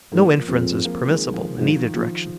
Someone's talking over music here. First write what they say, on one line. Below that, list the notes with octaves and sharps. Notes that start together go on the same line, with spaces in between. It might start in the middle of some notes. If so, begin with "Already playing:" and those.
No inference is permissible in either direction.
G#2 F3 A#3
F2 G#3 C4
C4
F3 A#3
D#3 G#3
F3
G#2 F3
D#3
A#2 F3